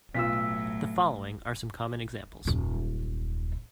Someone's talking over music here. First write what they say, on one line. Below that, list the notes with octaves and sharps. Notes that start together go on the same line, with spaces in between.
The following are some common examples.
B1 A2 F#3 F4 E6 B6
D#1 F#2